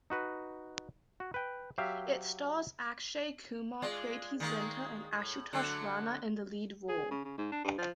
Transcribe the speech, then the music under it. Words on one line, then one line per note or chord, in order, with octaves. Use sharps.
It stars Akshay Kumar, Preity Zinta, and Ashutosh Rana in the lead role.
D#4 F#4 B4
F#4
B4 G5
F#3 G4 E5 F5
G#3 F4 D5
D#3 G#3 A#3
A2
D3 F#3 A3
G#4
C#3
C#3
G#2
D4
G2
F3